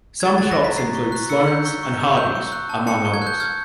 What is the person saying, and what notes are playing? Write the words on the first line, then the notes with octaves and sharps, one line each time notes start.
Some shops include Sloan's and Hardees, among others.
G#6
C#6 A6
F#6 A6
A#6
A#5 B6
A#5 C7
C#6
F#6
E6 C#7
G6
C#6
C#6
E6
G6
C#6
F#6
A5
A5 C#7
C#6
G#6
F#6 G6
F6 G#6